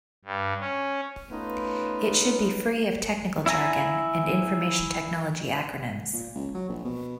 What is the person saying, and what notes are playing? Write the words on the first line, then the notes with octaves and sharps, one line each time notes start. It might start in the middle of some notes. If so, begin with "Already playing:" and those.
It should be free of technical jargon and information technology acronyms.
G2
C#4
A3 B3 C#4 D#4 F4 B4
E4 E5 G#5 A#5
A#2
C#2
F#3
A#1
B2